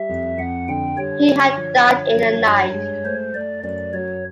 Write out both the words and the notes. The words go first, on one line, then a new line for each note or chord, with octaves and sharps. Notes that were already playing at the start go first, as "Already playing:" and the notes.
He had died in the night.
Already playing: G3 E5
F2
F2 F#5
D3 G5
G3 C#5
D3
F3
D3
F3
G2
G#3
A3 C5
A3 D5
F#2 D5
F#3 C#5